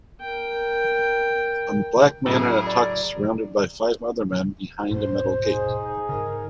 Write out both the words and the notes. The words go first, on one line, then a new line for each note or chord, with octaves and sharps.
A black man in a tux surrounded by five other men behind a metal gate.
A#4 G5
A2 C#3 F#3 G#4 A#4 B5 E6
D5 A#5
D#1 G#2 B2 C5
D#4 G#4
G#2 C#3 A#4